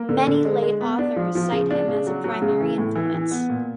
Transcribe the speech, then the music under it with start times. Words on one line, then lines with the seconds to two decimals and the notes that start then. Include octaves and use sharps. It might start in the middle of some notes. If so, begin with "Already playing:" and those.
Many later authors cite him as a primary influence.
Already playing: A#3
0.09 D3
0.27 D3
0.45 G#3
0.62 G#3
0.81 B3
0.99 D4
1.16 F3
1.35 F3
1.52 C#3
1.71 D4
1.88 C#3
2.07 F#3
2.24 F#3
2.42 C#3
2.60 E3
2.78 A2
2.95 E3
3.14 E3
3.31 B3
3.49 A#2